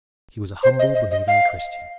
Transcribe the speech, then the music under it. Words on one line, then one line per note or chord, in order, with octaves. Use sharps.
She was a humble, believing Christian.
C5
D#5
D#5
D#5
F5